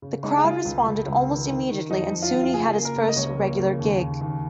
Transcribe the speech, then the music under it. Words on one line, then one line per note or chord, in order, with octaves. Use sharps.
The crowd responded almost immediately and soon he had his first regular gig.
C#3
G#3 D#4
G#4
G#3 F4
C#2
C#2
C#2
D#3
D#3
D#3
F2 D#4
F2
F4
F2
F4
C#3 G#4
A#3
A#4
C#3
D#5
C#2 C#5
A#3
C#3
D#2
C#3
D#2